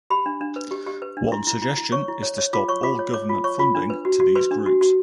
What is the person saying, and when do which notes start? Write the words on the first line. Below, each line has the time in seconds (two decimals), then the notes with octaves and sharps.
One suggestion is to stop all government funding to these groups.
0.10 G4 B5
0.26 D4
0.41 D4
0.56 B4
0.71 G4
0.87 G4
1.02 B4
1.17 D4
1.32 E4 C6
1.47 E4
1.62 E4
1.78 E4
1.92 C#5 C#6
2.08 E4
2.23 C#5
2.38 C#5
2.53 F4 D6
2.68 C#5 C#6
2.83 F4 D6
2.99 C#5
3.14 C#5 D6
3.29 F4
3.44 C#5 C#6
3.59 F4
3.75 D4
3.90 B4
4.05 F#4
4.20 F#4
4.35 B4 C6
4.51 D4
4.66 F#4
4.81 F#4